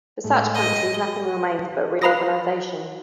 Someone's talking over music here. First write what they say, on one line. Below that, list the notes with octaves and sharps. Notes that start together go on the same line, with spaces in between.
For such countries nothing remained but reorganization.
A2 G#3 A3
D#5
B4 F5 A#5 B5 D#6 A#6